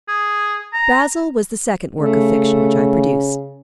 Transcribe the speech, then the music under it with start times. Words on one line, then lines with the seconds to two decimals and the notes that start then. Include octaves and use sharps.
"Basil" was the second work of fiction which I produced.
0.08 G#4
0.73 A#5
2.00 C#3 A3